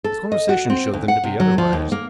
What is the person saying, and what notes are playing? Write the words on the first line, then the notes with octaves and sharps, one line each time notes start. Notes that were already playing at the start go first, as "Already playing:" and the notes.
His conversation showed them to be otherwise.
A4
D#5
F#4
C4
D2
F#5
C3
F#3
F3
D#2
A#3